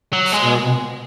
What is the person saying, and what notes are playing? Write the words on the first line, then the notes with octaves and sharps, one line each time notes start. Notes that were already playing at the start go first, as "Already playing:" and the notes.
That's terrible.
F#3
G#3